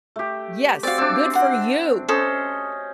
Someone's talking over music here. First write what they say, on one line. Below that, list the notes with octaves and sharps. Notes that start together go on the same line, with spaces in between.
Yes, good for you
A3 G4
C4 F#4 D5 F5
C4 D4
F#5 C6
C#4 A4 C5 D#5